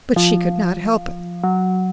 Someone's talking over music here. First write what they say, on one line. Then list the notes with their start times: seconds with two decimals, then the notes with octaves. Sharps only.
But she could not help it.
0.16 F3
1.44 F#3